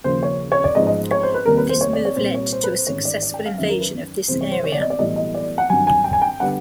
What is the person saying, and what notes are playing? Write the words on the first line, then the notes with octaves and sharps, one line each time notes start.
This move led to a successful invasion of this area.
D#2 C#3 F3 A#3 C5
C#5
C#5
D5
A1 G#2 F3 G#3 B3 D#5
D#5
C#5
C5
B4
F1 D#2 D#3 G3 A#3 A#4
B4
C5
C#5
D5
C#5
C2 A#2 G3 A#3 C5
C#5
C5
B4
C5
A1 G#2 D#3 C#5
D5
D5
G5
F5
F#2 D#3 F#3 E5
A#4
B4
G1 F2 C3 E3 G#3 C5
C#5
C5
C#5
D5
D#5
D5
B1 A2 E3 G3 D#5
D#5
D5
F#5
G2 D#3 F#3 G#5
G#5
G5
G#5
G5
D3 G3 B3 F#5